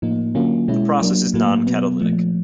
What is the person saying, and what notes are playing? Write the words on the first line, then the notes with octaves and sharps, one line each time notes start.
The process is non-catalytic.
A2 F3 A#3 D#4
D3 F#3 A#3 C#4 F4
B2 G#3 C#4 E4
F#3 A#3 D4
A2 F#3 A#3
B2 F#3 B3
A#2 F3 A3